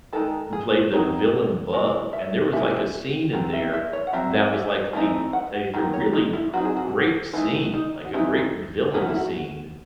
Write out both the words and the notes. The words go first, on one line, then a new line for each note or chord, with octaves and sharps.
who played the villain bug, and there was, like, a scene in there that was, like, a, like, a really gr great scene, like a great villain scene
D#3 G#3 D#4 A4
G#4
F#3 C4 D#4 C#5
E3 G#3
E5
E3 G#3 C#4 E5
F#3 C4
E5
E5
C#5
F#5
F#3 C4 E5
E5
E3 A3 C4 D#4
F#5
D#3 F#3
C#5
D#4
E4
F#3 C4 D#4 F#4
G#4
F#4
E3 A3 D#4 E4
D#4
F#4
E3 C4 D#4 E4
F#3 A3 C#4 G#4
F#4
E4
F#4